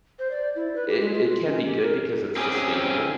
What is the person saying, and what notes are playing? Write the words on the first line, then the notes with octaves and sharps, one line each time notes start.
it it can be good because it's sustainable,
C5
D5
E4
B4
G4
G#3
F4
F4
C#4
G4
A#4
C4 C#4 G4 G#4